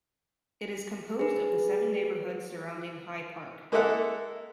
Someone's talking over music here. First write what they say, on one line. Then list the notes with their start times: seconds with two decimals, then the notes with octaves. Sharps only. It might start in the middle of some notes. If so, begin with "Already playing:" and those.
It is composed of the seven neighbourhoods surrounding High Park.
1.19 G#4 B4
3.72 G#3 A#3 E4 A4 E5 F#5